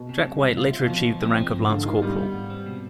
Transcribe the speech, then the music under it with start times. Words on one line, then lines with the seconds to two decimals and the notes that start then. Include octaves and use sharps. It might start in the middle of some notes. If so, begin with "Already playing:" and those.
Jack White later achieved the rank of Lance-Corporal.
Already playing: B2
0.09 C3
0.26 C2
0.41 C2
0.57 C3 F4
0.73 F4
0.81 B2
0.90 F3
1.05 F3
1.21 C4
1.38 F3
1.53 G#2
1.69 D3 F4
1.85 D#3 F4
2.02 G3 B3
2.18 B3
2.34 G#2
2.50 C4
2.66 B2